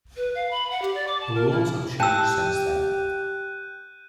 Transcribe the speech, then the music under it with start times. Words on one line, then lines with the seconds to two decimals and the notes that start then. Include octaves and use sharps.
The rules have changed since then.
0.16 B4
0.34 F5
0.51 B5
0.70 F#5
0.82 G4
0.94 D5
1.07 D6
1.20 A5
1.35 A#4
1.51 E4
2.00 G4 G5 A5 E6 F#6 G6 D#7